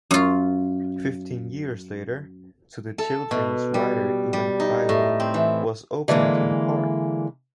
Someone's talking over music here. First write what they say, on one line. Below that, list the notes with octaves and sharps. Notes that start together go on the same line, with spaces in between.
Fifteen years later, to the children's writer Ivan Krylov was opened in the park.
F#2 F4
A4
B2
G3
G3
D#4
A2
C4
E3
D3 E3 G#3 A#3